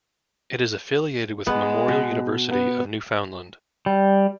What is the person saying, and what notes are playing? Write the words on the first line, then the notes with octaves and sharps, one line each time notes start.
It is affiliated with Memorial University of Newfoundland.
G#3 B3
B2
B3
G3